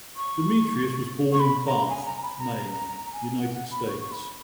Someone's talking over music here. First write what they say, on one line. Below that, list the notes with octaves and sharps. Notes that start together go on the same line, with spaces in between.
Demetrius was born in Bath, Maine, United States.
C#6
C#6
B5
A#5
G#5
A#5
B5
A#5
A#5
A#5
A#5
G#5
F#5
F#5
B5
C#6
C#6
B5